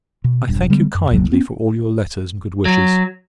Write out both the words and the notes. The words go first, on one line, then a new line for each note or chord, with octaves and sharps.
I thank you kindly for all your letters and good wishes.
B2
E1 G2
D3 G3 G#3 B3
F#2
E1 C#2 F#3 A#3
B3 C#4
F#3